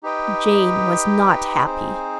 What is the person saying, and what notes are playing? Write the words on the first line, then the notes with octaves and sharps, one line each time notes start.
Jane was not happy.
D#4 G4 B4 D#5 G5
C4 D#4 G#4 C5